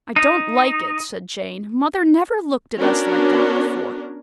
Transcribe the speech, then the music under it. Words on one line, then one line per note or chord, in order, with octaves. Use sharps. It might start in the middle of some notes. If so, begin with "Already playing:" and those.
'I don't like it,' said Jane. 'Mother never looked at us like that before.
D#4
B3 C#4 D4 F#4 A#4